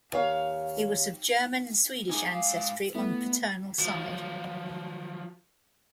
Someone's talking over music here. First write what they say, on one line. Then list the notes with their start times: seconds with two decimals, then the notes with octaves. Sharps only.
He was of German and Swedish ancestry on paternal side.
0.12 D#2 C#5 F5
2.10 D#4 E4 G#4 G#5 D6 D#6
2.28 G#2 F5
2.95 A3 B3 E4
3.78 F3 F#3